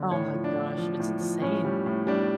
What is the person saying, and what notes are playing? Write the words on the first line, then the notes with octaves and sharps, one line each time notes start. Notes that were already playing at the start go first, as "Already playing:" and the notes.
Oh my gosh. It's insane.
Already playing: D3
A2 C#5
F3
D4
A2
F3
A2
F3
A2 C#4
G3
A2
G3 D4